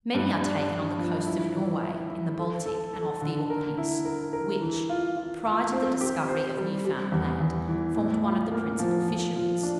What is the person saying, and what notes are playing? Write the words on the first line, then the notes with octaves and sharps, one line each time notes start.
Many are taken on the coasts of Norway, in the Baltic, and off the Orkneys, which, prior to the discovery of Newfoundland, formed one of the principal fisheries.
G2
D4
D4
F3
E4
E3
E4
E4
A4
A4
A4
D3
A#4
E4
A#4
A#4
E3
F4
F4
F4
C4
G4
C5
G3
G3
E2
E2
E3
A2
F4
A#3
F3
F3
F3
D4